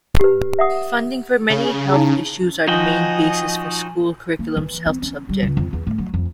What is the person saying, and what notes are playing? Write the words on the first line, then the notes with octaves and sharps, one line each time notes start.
Funding for many health issues are the main basis for school curriculum's health subject.
G4 B4
E5 F#5 D#6
C#3
D#4 E4
F3 D#4 F#4 D#5 G5 G#5
A#3
E3
C4
C#4
G3
C#2
F2
E2
A2
F#3
F2